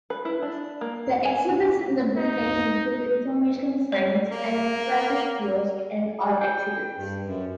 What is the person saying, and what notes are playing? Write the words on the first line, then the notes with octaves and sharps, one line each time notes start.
The exhibits in the building include informational signs, an interactive kiosk, and art exhibits.
B4
E4
D4
A#3
G#5
D#4
C#5 D5
A#3
G3
G5
G2
F#2